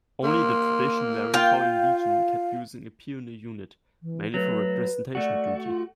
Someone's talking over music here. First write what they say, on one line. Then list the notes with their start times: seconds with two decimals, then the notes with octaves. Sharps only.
Only the tradition-wary Foreign Legion kept using a pioneer unit, mainly for representation duty.
0.23 A#3 C6
1.34 F4 F5 G5
4.03 E3
4.34 F#3 A3 B4
5.15 A3 F#4 D5
5.65 F4